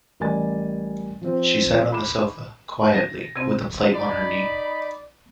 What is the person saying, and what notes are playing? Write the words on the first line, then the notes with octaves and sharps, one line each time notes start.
She sat on the sofa, quietly, with a plate on her knee.
A1 G3 A#4 D5 G#5 A6
F3 C4
B5 D6 E7
A6 A#6
C3 C4 G#6
D#4 D5 B5